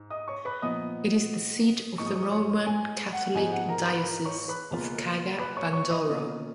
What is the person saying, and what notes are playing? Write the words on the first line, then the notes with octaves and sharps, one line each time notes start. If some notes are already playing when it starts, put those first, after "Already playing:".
It is the seat of the Roman Catholic Diocese of Kaga-Bandoro.
Already playing: G#2
D#5 D#6
C#5 C#6
B4 B5
A#2 F3 B3 D#4 D#5 D#6
G#2 F3 G#3 D#4 C#6
D#6
C#6
D#6
C#5 C#6
G#5
F#5
G#2 F3 G#3 B3 D#4 G#5
F#5
A#4 A#5
B4 B5
B5
A#4 A#5
C#5 C#6
B4 B5
C#2 B2 A#3 F4
B4 B5
C#5 C#6
C#5 C#6
D#5 D#6
B2 A#3 C#4 F4 D#5 D#6